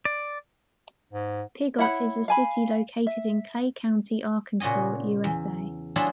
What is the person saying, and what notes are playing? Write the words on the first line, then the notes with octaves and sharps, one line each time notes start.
Piggot is a city located in Clay County, Arkansas, USA.
D5
G#2
E4 C#5 F#5 B5
F5 G#5 B5
E5
A#2 C#3 F#4 D#5 G#5
E2
F#3 A3 D4 E4 F4 G#4